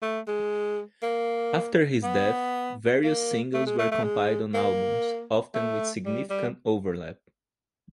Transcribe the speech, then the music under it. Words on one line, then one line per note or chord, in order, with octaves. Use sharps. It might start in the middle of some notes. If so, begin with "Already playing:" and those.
After his death, various singles were compiled on albums, often with significant overlap.
A3
G#3
A#3
B3
A#3
A3
G#3
A3
A3
G#3
A#3
A3
G3
G3